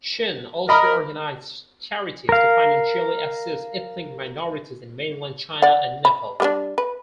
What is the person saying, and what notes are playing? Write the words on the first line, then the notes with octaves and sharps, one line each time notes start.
Chen also organized charities to financially assist ethnic minorities in mainland China and Nepal.
A#4 D#5 B5
A#4 F5
D5 F#5
B5
G3 B3 D4
B4